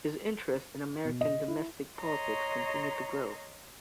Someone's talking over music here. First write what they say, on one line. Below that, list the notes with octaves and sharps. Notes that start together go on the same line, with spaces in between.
His interest in American domestic politics continued to grow.
B2
D#5
E4
C#5 D#5 A#5 C6 C#6